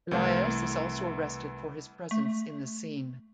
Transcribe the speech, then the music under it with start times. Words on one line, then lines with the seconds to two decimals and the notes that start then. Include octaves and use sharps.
Elias is also arrested for his presence in the scene.
0.11 C2 E3 A3
2.11 A3